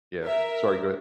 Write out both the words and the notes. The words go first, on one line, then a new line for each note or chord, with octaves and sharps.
yeah, sorry, go ahead.
A#4 E5